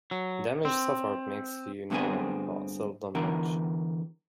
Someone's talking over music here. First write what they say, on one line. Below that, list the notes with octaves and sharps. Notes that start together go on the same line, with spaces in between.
Damage suffered makes you knowing, but seldom rich.
F#3
C4
D2 G2 D3 B3 C4 G#4
E2 D3 E3 A#4